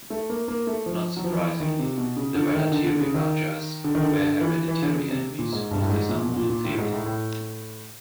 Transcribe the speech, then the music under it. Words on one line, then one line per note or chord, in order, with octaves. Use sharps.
Not surprisingly, the Vellatiri rajas were hereditary enemies of the Samoothiri.
A3
A#3
A#3
A3
F3
F#3
F3
E3
D#3
C3
B2
C#3
D3
D#3
D3
D3
C#3
D#3
D3
D#3
D3
D3
E3
E3
D3
C#3
C3
A#2
G#2
G2
A2
G#2
A#2
B2
A#2
A#2
A2
G#2
A2
A2